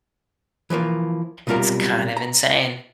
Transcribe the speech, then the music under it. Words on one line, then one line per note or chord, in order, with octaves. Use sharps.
It's kind of insane.
E3 F3 G3 A#3
B1 C3 G3 F4 A#4 A#5
A#5